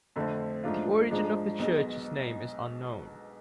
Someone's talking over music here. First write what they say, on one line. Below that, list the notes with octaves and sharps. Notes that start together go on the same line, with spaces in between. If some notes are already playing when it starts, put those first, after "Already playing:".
The origin of the church's name is unknown.
F2 D3 A3 C4
G#2 F3 A3 D4 F4
G#2 F3 G#3 D4
B1 B2 G#3